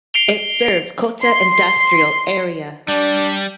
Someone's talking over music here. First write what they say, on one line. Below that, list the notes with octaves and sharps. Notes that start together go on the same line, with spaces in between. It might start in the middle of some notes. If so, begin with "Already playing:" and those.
It serves Kota Industrial Area.
C7 D7 F7 G7
C6
G3 D4